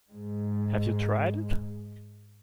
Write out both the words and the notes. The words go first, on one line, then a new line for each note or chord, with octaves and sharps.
Have you tried it?
G#2 G#3